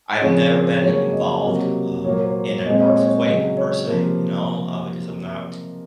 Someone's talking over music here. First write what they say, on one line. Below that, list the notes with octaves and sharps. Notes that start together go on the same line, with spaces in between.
I've never been involved, um, in an earthquake per se, you know, uh, because I'm not
D#5
C#3 F3 C4 C#5
C#5
C5
C#3 F#3 A#3 C#5
D#5
C3 F#3 A#3
A#2 F#3 A#3 C#5
C5
C#5
A#2 G#3 C4 D#5
D#5
C#5
C#5
C#3 F#3 C4 D#5
C#5
C3 F3 A#3 A#4